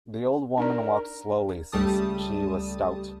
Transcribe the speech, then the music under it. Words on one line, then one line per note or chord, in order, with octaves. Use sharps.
The old woman walked slowly, since she was stout.
D4 D#4 A#4 D5
C#2 G3 A3 A5 D#6